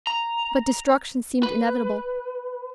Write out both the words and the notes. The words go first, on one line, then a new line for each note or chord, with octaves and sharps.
But destruction seemed inevitable.
A#5
B4